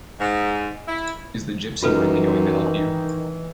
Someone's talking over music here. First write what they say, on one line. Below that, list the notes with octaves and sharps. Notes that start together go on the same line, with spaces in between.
Is the gypsy really going to help you?
G#2
E4
F#2 D#3 E3 D#4 F4 A4 B4